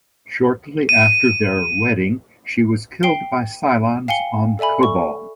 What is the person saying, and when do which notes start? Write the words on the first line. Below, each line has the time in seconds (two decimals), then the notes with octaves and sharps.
Shortly after their wedding, she was killed by Cylons on Kobol.
0.89 D#7
3.03 G5 C7 D7 G7
4.08 F5 G5 G#5 C#7 G7
4.59 A4 D5 E5 G#5 B5
4.83 A4 C#6